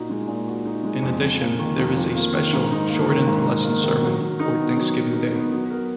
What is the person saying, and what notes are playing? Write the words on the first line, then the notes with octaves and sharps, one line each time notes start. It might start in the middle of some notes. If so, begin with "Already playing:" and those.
In addition, there is a special, shortened Lesson-Sermon for Thanksgiving Day.
Already playing: A#2 D#4 F#4
G#3
A#2
F#4
D#4
G#3
F2
F2
A#3
D#3
F2
F2
A#3
D#3
G#2
D#4
A#3
D#3
G#2
D#4
A#3
D#3
F#3
F#3
D#4
B3
F#3
F#3
D#4
B3
F#3
A#4